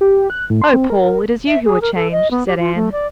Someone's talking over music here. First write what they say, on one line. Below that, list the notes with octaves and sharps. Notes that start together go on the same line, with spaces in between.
"Oh, Paul, it is you who are changed," said Anne.
G4
F#6
A2
C6
C4
A#4
E5
G#4
A#4
A4
D#5
B3
G4
F4
A3
D5